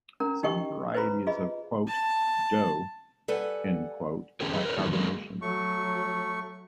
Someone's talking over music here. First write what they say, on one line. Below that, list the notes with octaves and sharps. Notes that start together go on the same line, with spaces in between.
Some varieties of "doogh" have carbonation.
C#4 D4 A#4 A#5
D#4 G4 D#5 G5 C#6
B4 C5 A#5 B5
F4 G#4 D#5 B5
A5
G3 A4 B4 F#5 G#5
D3 E3 C#4 G4 G#4 A#4
G#4 B4 D#5
A#4 B4 C#5
E2 D#3 E3 F#3 G3 A#3
F#3 G#3 A#3
F#3 A3 C#6